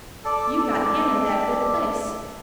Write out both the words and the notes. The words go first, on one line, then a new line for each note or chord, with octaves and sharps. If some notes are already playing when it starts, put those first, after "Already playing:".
You got Hannah that good place.
A4 D5
A4 D5